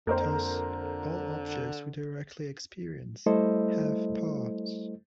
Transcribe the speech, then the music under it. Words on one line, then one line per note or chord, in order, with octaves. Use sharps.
Thus all objects we directly experience have parts.
F2 D3 A#3 A#4 C5
G3 A3 E4 A4 C5 D#5